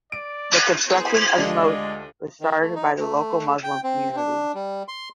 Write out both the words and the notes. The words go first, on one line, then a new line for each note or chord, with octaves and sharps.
The construction of the mosque was started by the local Muslim community.
D5 D7
B3 E4 G#4 C5
D2 G#3 D4 F4 G4 D5
D#3
A3
D#4
A3
G5
C4
D4
G3
C6